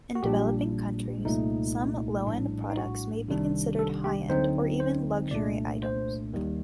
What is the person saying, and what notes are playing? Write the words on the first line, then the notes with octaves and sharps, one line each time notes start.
In developing countries, some low-end products may be considered high-end or even luxury items.
F#4
A#1 A#2 G3 D4 G4
C2 A#2 A3 D#4
A#1 A2 G3 D4
D#4
F#4
C2 C3 D#3 G3 D4
A4
G4
D2 D3 F#3 C4 D#4 C5
C5
C2 A#2 A3 D4 D5
C5
D#2 D#3 G3